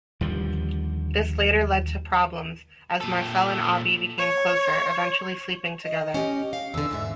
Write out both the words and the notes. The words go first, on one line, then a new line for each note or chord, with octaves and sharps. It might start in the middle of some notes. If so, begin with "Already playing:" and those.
This later led to problems, as Marcel and Abi became closer, eventually sleeping together.
D#2 D3 F3 G3
A#2 A4
C#5
D#5
C#4 G4
F5
E2 D3 E6
E2 G#2 E5